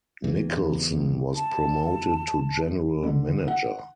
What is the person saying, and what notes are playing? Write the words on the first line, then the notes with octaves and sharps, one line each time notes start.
Nicholson was promoted to general manager.
E2
A5
D3
F#5